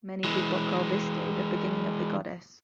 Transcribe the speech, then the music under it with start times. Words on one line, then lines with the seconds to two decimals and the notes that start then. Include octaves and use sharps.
Many people call this day the beginning of the goddess.
0.24 E3 G#3